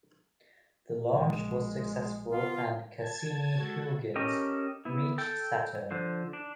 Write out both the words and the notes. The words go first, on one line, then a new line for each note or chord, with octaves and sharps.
The launch was successful and "Cassini-Huygens" reached Saturn.
A#1 G#3
B3 F4
A5 G#6
G#3 F#4 A4
C#4 G4 A4 A#4 D#5
B3 E4
A4 G5
D3 F3 C5
D4